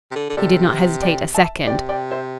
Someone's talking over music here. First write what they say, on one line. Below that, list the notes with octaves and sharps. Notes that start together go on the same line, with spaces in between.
He did not hesitate a second.
C3
D3
D3
C3 A4 D5
D5 G5
E5 A5
C3 D5 G5
D5 G5
C5 E5